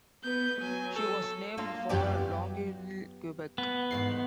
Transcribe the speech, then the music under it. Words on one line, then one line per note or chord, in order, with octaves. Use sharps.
She was named for Longueuil, Quebec.
B3 B4 G6
F#3 G#5
A4
A#3 D4 F4
F#2 F#3 B3 F4 G4 D5
B3
E2 G#2 D#3 C7